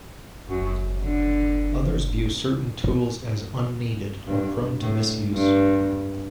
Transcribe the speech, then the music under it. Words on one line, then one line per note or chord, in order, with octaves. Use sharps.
Others view certain tools as unneeded or prone to misuse.
F#2 F#3
D3
G2
A2
G2